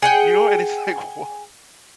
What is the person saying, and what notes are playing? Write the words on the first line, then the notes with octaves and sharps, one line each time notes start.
You know, and it's like, wha
G#4 F#5 G5